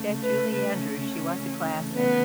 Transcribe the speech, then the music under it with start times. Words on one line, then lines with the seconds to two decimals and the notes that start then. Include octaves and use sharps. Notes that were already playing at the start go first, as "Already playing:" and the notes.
That Julie Andrews, she was a classic.
Already playing: C#3 A3
0.24 B4
0.52 B4
0.80 C#4
1.37 C#3 E3 A3
1.94 B3